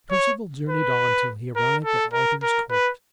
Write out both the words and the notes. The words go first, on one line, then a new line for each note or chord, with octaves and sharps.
Perceval journeyed on till he arrived at Arthur's court.
C#5
B4
A#4
A4
A#4
A#4
B4